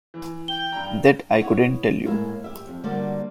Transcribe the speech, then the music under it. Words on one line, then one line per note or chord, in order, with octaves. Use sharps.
That I couldn’t tell you.
E3
G5 G7
G2 A#5
B3 E4 C#5
A2 G#3 A#3 E4 E5 G#5
G4 E5
F2
D3 G3 A#3 F#4 C5 D5